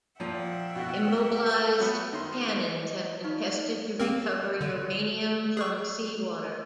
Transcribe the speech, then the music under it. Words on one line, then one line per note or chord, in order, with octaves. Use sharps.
Immobilized tannins have been tested to recover uranium from seawater.
A#2 F3 E5 F#5 G5
B2 F#4
F#3 B3
D#3 C5 C6
F#4 D#5
D#4 B4 D5 F5 B5 C#6
A#3 C4 A#4
D3
G#4 C#6